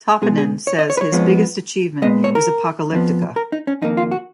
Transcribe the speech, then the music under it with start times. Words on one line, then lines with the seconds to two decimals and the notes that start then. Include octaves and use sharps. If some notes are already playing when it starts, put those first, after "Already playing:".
Toppinen says his biggest achievement is Apocalyptica.
0.22 B2 G#3 B3 G#4
0.38 G#4
0.67 C#5
0.79 D#5
0.90 C#5
0.97 B4
1.01 C#5
1.12 F2 F3 G#3 B3
2.02 A#2 G#3 B3 D#5
2.24 C#5
2.35 A#4
2.92 F2 F3 B3
3.36 A#4
3.52 D#4
3.67 C#4
3.82 F2 D#3 A#3 D#4
3.97 F4
4.11 F#4